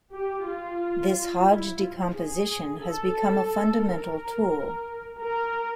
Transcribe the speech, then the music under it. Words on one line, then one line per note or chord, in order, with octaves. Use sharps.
This "Hodge decomposition" has become a fundamental tool.
G4
F4
E4
F4
G#4
A4
A#4
A#4